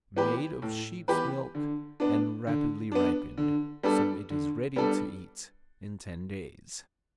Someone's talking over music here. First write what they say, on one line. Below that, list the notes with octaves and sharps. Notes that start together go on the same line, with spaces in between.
Made of sheep's milk and rapidly ripened, so it is ready to eat in ten days.
E3 B3 G4 B4
A2
E3 B3 G4 B4
D3
B3 D4
D3
B3 D4
D3
G3 B3 D4 A4
D3
G3 B3 D4 A4